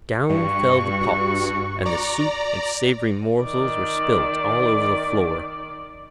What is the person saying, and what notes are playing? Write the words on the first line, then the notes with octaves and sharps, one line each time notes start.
Down fell the pots, and the soup and savoury morsels were spilt all over the floor.
G2 F#4 C#6
D5 A#5
D#3 D5